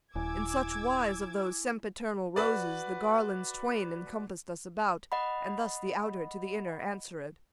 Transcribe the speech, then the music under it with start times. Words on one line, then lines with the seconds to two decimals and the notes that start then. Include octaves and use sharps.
In such wise of those sempiternal roses The garlands twain encompassed us about, And thus the outer to the inner answered.
0.15 D#1 E4 G#5 D6 E6 G#6
2.36 F#4 B4 D5
5.12 D#5 F#5 B5